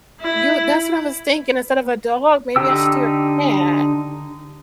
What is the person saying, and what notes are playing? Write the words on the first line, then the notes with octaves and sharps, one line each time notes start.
You that's what I was thinking, instead of a dog, maybe I should do a cat.
E4
D3 D#4 G4 G5 E6